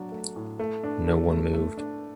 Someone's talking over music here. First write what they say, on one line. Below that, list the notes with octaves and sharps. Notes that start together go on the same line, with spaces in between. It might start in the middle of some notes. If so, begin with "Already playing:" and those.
No one moved.
Already playing: F#3 D4
A3
A2
A3
D4
A4
A3
A3
D4